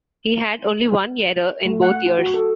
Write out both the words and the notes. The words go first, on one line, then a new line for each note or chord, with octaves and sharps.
He had only one error in both years.
A3
F#5
F4
F#4
A4